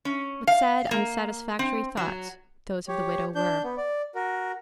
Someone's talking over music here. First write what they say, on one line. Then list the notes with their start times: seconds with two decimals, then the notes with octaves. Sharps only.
What sad, unsatisfactory thoughts those of the widow were!
0.05 C#4
0.47 F5
0.91 A#3
1.59 C4
1.97 F#3
2.88 G4 C#5
3.35 D4 G6
3.64 B3
3.77 D5
4.15 F#4 A#4